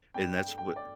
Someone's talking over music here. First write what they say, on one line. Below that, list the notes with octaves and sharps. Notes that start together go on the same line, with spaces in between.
And that's what
G2 G5
G5
A3
G5
D5